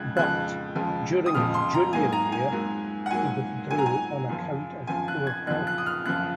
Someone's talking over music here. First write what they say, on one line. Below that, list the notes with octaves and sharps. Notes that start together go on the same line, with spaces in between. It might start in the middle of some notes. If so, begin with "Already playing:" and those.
But, during his junior year, he withdrew on account of poor health.
Already playing: F2 C#3 F3 G#3 F#6 G#6
F2 C#3 F3 G#3 F#6
F2 C#3 F3 G#3
D#6
F2 C#3 F3 G#3 F6
C6
A#5
G#2 F#3 A#3 G#5
A#5
G#5
G#2 F#3 A#3
F#5
G#2 F#3 A#3 G#5
G#2 F#3 A#3 G#5
A#5
G#5
F#2 C#3 F3
F#2 C#3 F3 G#5
F#6
G#6
F#2 C#3 F3 F#6
F#6
D#6
F6
F#2 C#3 F3 F#6